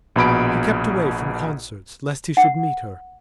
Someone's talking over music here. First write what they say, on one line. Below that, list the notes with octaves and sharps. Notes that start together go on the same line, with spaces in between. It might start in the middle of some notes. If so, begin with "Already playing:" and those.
He kept away from concerts lest he should meet her.
A#1 B2 B5 D7
F#5